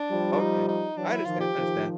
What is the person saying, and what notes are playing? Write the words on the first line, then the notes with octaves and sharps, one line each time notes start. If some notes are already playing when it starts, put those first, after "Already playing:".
Okay. I understand, I understand.
Already playing: D4
F3 G3
D4
D#4
D#4
E3 F#3 D4
E4
D#3 F3 F4
G4
D#3 F3